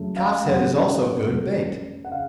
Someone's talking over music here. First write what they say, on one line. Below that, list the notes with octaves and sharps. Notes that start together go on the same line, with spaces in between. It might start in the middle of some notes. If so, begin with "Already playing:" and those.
Calf's head is also good, baked.
Already playing: F#2 C#3 F#3 A3
F5
F#2 C#3 F#3 A3 F#5
F#2 C#3 F#3 A3
F#5
C#3 F5